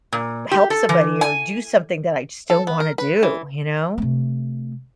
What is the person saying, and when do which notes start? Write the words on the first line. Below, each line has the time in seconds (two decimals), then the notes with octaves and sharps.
help somebody or do something that I just don't wanna do, you know?
0.13 A#2
0.51 G4
0.70 A4
0.89 E3
1.21 G#5
2.50 A4
2.67 B3
2.80 A#4
2.98 B4
3.23 E3
3.98 C3 A3